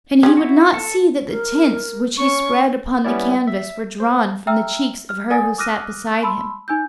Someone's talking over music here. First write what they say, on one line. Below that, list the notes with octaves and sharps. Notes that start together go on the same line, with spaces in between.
And he would not see that the tints which he spread upon the canvas were drawn from the cheeks of her who sate beside him.
C4 C#4 G4 G#4
E4 F#4
A4
A#4
C#4 C#6
G3 B3 C#4 E4 D5
E5
C5
E5 G5 A#5 E6 F6
F6
A#4 D5 F#5 G#5 D#6 A6
D6 D#6 F6 F#6 A#6 D#7
A5 B5 C6 E6
D#4 G#5 E6 G6